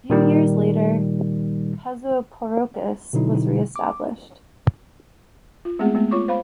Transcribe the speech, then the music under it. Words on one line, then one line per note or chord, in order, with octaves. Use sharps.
Few years later, Pezoporikos was re-established.
A#2 D#3 G3
B2 D3 F#3 D#4 E4
D6
F4
G#3 A3 B3 C4 G#4 F#5
G#3 A3 B3
F4 C#5 C#6 D6
C5 F5 B5